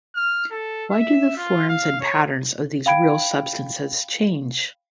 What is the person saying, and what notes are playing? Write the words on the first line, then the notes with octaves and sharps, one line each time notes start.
Why do the forms and patterns of these real substances change?
F6
A4
E5
F4
F5
C#5
F5 G5 B5 G#6 D7